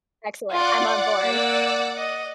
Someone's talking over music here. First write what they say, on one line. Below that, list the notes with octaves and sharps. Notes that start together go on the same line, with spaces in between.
excellent, I'm on board.
F4 D5 F#5 D6
A#3 E6
D#5